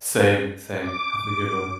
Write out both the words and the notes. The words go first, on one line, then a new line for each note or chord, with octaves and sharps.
Same, same. Have a good one.
D6